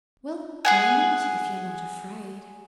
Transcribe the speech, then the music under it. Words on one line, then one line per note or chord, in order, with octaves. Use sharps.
"Well, why not, if you're not afraid?"
G#4 F#5 G#5